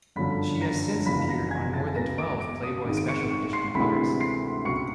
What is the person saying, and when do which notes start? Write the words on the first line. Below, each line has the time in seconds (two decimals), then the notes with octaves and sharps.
She has since appeared on more than twelve "Playboy Special Edition" covers.
0.16 G1 F#2 D3 F3 B5 B6
0.61 A#5 A#6
1.06 F#1 E2 C#3 F3 B5 B6
1.28 A#5 A#6
1.50 G#5 G#6
1.73 A5 A6
1.96 C#2 C#3 F#3 B3 A#5 A#6
2.18 D6 D7
2.41 D6 D7
2.63 D#6 D#7
2.85 G#1 G#2 D#3 G#3 C4
2.97 D7
3.08 C#6 C#7
3.31 C#6 C#7
3.53 C6 C7
3.75 D2 C3 E3 G#3 C4 B5 B6
4.20 C6 C7
4.65 C#2 B2 F#3 C#6 C#7